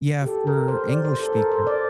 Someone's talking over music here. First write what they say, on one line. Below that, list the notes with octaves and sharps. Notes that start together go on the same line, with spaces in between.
Yeah, for English speaker
G4
A4
A#4
C5
D5
C5
A4
A4
A#4
C5
D5